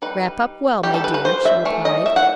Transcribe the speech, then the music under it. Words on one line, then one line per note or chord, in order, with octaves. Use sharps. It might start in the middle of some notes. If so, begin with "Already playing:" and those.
"Wrap up well, my dear," she replied.
G3 D#4 B4
G3 D#4 G4
A4
B4
B4
C5
E5
E3 A3
D#5
E5
F#5